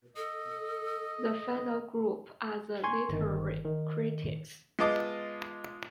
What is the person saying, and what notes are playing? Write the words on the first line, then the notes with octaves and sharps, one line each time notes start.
The final group are the literary critics.
A4 D#5
G#5 C6 C#6 G#6
G1 D#3
D#3
G#3 B3 F4 D#5 A5 D6